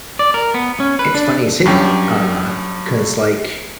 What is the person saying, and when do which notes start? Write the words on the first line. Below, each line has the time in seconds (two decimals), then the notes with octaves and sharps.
It's funny you say that, uh, 'cause, like,
0.19 D5
0.34 A#4
0.54 B3
0.80 C#4
0.99 B4
1.14 D4
1.66 G2 F#3 C#4 G4